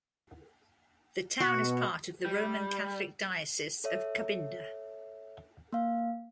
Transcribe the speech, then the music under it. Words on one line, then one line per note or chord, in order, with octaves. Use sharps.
The town is part of the Roman Catholic Diocese of Kabinda.
B2 F#4
G3
A4 C#5 E5
A#3 F5